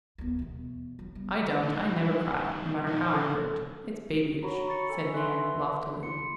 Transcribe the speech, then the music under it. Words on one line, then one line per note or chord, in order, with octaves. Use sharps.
"I don't, I never cry, no matter how I'm hurt; it's babyish," said Nan, loftily.
D#2 B3
E2 B2
F#3
G3 B3
G3 D#4
F3 A#3 D#4
A4
F#4 C#5 A#5 B5
B5 C#6 A6 C#7
A4 G#5
B4 E5 C6
E4 C6 C#7